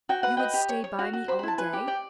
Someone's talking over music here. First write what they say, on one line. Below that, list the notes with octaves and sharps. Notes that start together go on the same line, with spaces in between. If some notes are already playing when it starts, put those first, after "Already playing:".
"You would stay by me all day?"
F#4 G5
B4 F#5
D#5 G5
G4
C#5
C#5
F#4 F5
F#4
C5 B5
B5
E4 A5
B4 G#5
G4
D5 G5